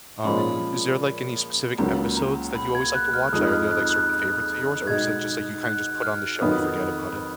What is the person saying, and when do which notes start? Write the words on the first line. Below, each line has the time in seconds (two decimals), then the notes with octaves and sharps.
Um, is there, like, any specific episodes that you always like to watch, like, are there, like, certain favorites of yours, or is it just, like, you kinda just put on the show and forget about it?
0.24 A#2 F3 G#3 C#4 B5
1.78 C#2 C#3 F#3 A#3 A#5
2.17 A#5
2.55 B5
2.75 G#6
2.94 F#6
3.14 F6
3.33 F2 F3 G#3 D#4 D#6
3.52 F6
3.71 F#6
3.91 F#6
4.87 B2 G#3 D#4 G#6
5.64 F#6
6.02 F6
6.41 F2 D#3 F#3 B3 D#4 D#6